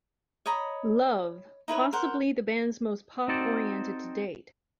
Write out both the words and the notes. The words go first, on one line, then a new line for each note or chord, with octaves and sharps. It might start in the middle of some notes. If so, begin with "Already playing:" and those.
Love, possibly the band's most pop-orientated to date.
C#5 D#5 A#5 B5
D#4 E4 B4 C#5
A#4 C5 F#5
C4 D#4 F#4 A4 C5 D5